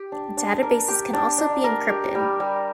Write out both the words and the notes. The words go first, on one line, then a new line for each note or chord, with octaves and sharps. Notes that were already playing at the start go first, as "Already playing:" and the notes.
Databases can also be encrypted.
Already playing: G4
D4
D4
A#4
G4
D4
D4
A#4
G4
G3
G3